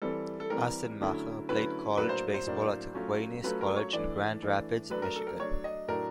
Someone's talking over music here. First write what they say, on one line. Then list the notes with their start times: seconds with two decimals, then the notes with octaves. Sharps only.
Assenmacher played college baseball at Aquinas College in Grand Rapids, Michigan.
0.02 E3 G3 C4 A4
0.40 A4
0.50 E3 G3 C4 A#4
1.00 D3 F#3 A3 C#4 E4
1.49 D3 F#3 A3 C#4 E4 B4
1.98 A2 F#3 A#3 D4 B4
2.09 C5
2.34 C5
2.46 A2 F#3 A#3 D4
2.95 F#3 A3 C#4 F4
3.44 F#3 A3 C#4 F4 B4
3.61 A#4
3.76 C#5
3.93 E3 A3 D4 D5
4.42 E3 A3 D4
4.90 F#3 A3 D4 B4
5.02 A#4
5.16 A4
5.27 A#4
5.39 F#3 A3 D4 C#5
5.64 D#5
5.88 A2 F#3 A3 D4 A#4